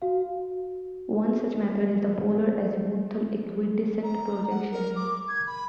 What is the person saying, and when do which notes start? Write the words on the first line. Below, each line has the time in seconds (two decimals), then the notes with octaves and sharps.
One such method is the polar azimuthal equidistant projection.
0.02 F#4 F5
4.03 A#5
4.50 F#5
4.71 A#4
4.95 D6
5.28 G#6
5.46 B5